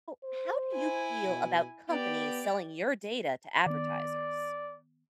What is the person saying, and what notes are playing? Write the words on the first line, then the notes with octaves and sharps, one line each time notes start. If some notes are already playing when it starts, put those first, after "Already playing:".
So, how do you feel about companies selling your data to advertisers?
C5
E4 G#5
B2
B3 G4 D5
D#3 B3 D5